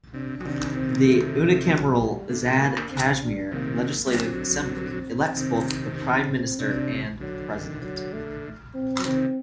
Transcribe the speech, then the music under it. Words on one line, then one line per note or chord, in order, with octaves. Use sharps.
The unicameral Azad Kashmir Legislative Assembly elects both the Prime Minister and President.
C3 D4
F#3
C3 D#3 D4
C4
A3
F#3
G3
D3 A3
A#3
C4
D4
C3 D#3 A#3
G3
D3 F#3 C4
C3 D#3
C3 D4
D3 F#3
D#3
F#3
A3
C4
F#3
C3 D#3 C4